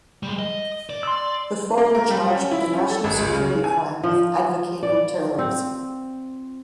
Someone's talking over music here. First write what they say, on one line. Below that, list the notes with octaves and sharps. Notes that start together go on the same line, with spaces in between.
The four were charged with the national security crime of "advocating terrorism".
G3 G#3
D#5
D5
C6 E6
A#3
A#4
G3
C#4
E4
C#4
A4
G#1
C#2
C#3
G#5
F3
D5
C4